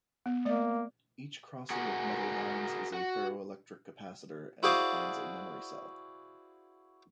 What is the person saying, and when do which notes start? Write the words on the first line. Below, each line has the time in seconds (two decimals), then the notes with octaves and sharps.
Each crossing of metal lines is a ferroelectric capacitor and defines a memory cell.
0.26 B3
0.45 A3 A#3 D5
1.70 F#4 G#4 A#4 F#5
2.93 F#4
4.63 E4 F#4 G#4 C5 D5 F5